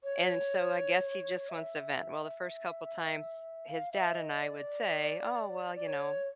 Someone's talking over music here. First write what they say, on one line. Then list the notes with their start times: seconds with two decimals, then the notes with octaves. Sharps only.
and so I guess he just wants to vent. Well, the first couple times, his dad and I would say, "Oh, well, you know,
0.04 C#5
1.49 E5
2.22 E5
3.68 F5
3.92 E5
4.17 D#5
4.41 D5
5.76 D5
5.87 C#5